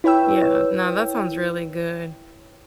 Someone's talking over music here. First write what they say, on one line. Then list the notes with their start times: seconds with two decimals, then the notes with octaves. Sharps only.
Yeah, no, that sounds really good.
0.04 E4 B4 C#5 G5 E6